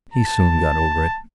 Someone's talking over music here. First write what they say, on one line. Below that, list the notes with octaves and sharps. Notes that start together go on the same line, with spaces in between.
He soon got over it.
A5